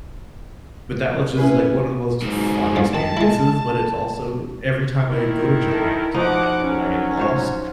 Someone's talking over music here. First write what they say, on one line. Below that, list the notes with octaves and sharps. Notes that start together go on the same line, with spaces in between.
but that was just, like, one of the most fun experiences, but it's also, every time I go to Japan, it's, like, that because I get lost,
B3 C#4 D#4 E4 G#4 B4
G#2 B2
G2 F3
D#3 A5
G#3 E4
D#3 E4 A#4
A4 E5
B2 F3 D#4 F#5 D6
F#3 C#4
F4 C5 C#5